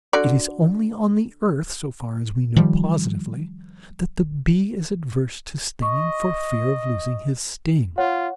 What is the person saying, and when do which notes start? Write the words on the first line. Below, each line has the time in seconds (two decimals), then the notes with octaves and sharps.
It is only on the earth, so far as we know positively, that the bee is averse to stinging, for fear of losing his sting.
0.13 D3 F#4 D5
2.56 D#3 F3 G3
5.82 D#5 C#6
7.98 F4 C#5 F#5